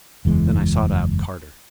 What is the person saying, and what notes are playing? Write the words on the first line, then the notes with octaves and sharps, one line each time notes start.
Then I sought out Carter.
F#1 E2 E3 G#3